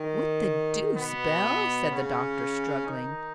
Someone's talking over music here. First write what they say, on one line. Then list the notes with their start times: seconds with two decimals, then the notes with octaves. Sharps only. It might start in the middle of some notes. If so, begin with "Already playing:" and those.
"What the deuce, Bell?" said the doctor, struggling.
Already playing: D#3
0.95 B2 B3
1.90 C#3 C#4
2.86 D#3 D#4